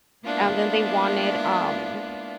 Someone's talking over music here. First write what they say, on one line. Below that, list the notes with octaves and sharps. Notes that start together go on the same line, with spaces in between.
and then they wanted, um,
G#3 A#3 B3 D4 E4 F4